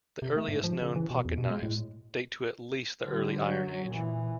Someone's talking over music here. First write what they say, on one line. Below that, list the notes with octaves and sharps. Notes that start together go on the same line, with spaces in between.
The earliest known pocketknives date to at least the early Iron Age.
C3
A3
G#2
F3
C#3
E3
B2
E2
B2
G#3
A2
D3 G3
F#3
A#2 E3